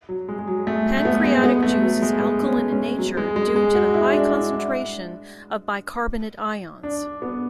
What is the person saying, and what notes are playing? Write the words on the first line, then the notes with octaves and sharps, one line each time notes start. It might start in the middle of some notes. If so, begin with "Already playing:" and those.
Pancreatic juice is alkaline in nature due to the high concentration of bicarbonate ions.
F#3
G#3
G#3
F#3
A3
A3
B3
G#3
B3
A3
F#3
G#3
B3
C#4
C#4
F#3
G#3
G#3
G#3
F#4
E4
D4
E4
D4
B3